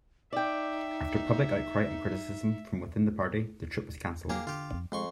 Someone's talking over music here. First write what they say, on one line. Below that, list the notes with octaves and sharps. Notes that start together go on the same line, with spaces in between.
After public outcry, and criticism from within the party, the trip was cancelled.
D#4 D5 E5 G5
F#3 A#3 G4 G#4
D3 F4 G4
F2
F2 G#3 C6 C#6